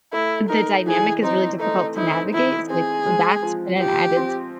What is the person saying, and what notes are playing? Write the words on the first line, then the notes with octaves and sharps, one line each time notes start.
the dynamic is really difficult to navigate, so, like, that's been an added
A3 E4
D#4 A#4
E3 G#4
C4 D#4
A3 D#4
D#4 E4
E3 E4
C4 G#4
G#3
F3
F3 G4
C4